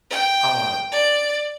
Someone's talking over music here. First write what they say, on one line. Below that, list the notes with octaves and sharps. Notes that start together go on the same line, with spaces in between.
I want
G5
D5